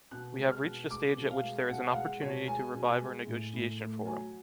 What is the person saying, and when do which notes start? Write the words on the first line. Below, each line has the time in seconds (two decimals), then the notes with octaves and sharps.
We have reached a stage at which there is an opportunity to revive our negotiation forum.
0.11 B2 F#6
0.38 G#3
0.51 F6
0.64 B2
0.90 G#3 D6
1.17 B2
1.30 F5
1.43 G#3
1.70 B2 F#5
1.89 F5
1.95 G#3 F#5
2.21 B2 C#5
2.48 G#3 G#5
2.74 B2
3.01 G#3
3.26 A2
3.53 A2
3.79 A3
4.06 F#3 G#5